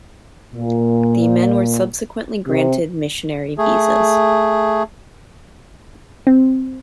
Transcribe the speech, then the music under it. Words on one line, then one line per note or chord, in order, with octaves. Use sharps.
The men were subsequently granted missionary visas.
A#2
C3
A3 G#4
C4